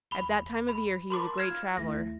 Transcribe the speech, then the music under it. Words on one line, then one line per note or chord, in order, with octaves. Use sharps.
At that time of year he is a great traveler.
E2 B5 G7
B5
A#4 A5 B5 C6 D6
F6 G#6 E7
F4
D#2 A3 E4 A#6